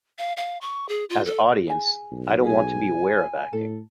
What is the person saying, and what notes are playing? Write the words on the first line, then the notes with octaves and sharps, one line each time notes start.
As audience, I don't want to be aware of acting.
F5
F5
C#6
G#4
F4
A4
G#4 G#5
B1
G#4 G#5
A2 A4